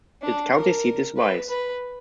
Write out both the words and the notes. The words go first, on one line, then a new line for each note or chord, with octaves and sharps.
Its county seat is Wise.
D4
A#4
B4
B4